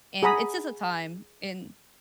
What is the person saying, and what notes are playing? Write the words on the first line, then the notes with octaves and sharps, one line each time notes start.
and it's just a time and
G#4 F#5 A#5 B5 D#6